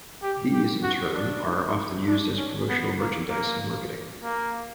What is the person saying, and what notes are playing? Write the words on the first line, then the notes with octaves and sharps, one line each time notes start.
These, in turn are often used as promotional merchandise in marketing.
G4
G4
F#4
D4
D4
C#4
B3
A#3
A#3
A#3